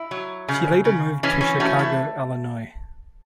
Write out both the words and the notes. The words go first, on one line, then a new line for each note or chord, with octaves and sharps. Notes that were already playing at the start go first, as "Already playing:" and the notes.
She later moved to Chicago, Illinois.
Already playing: E4
F#3
C#3
C#3
E3 C#4
C#4
A3 C#4 F#4
E4